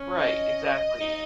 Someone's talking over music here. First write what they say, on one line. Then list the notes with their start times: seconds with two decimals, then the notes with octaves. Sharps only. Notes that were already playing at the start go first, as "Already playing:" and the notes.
right, exactly.
Already playing: C#4
0.16 D#5
1.00 D#4